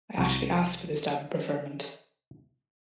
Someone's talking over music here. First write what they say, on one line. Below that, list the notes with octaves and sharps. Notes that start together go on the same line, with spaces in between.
I actually asked for this dab of preferment.
C2 F#4